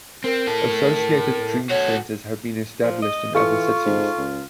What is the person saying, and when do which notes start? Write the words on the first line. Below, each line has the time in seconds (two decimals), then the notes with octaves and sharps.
Associated Dream Centers have been established in other cities.
0.24 C4 A#4
0.47 E4 A4
1.69 F#4 A4 C#5
2.84 F3
3.03 D#5
3.35 E3 F4 A4 C#6 C#7
3.85 G#2
4.18 C#2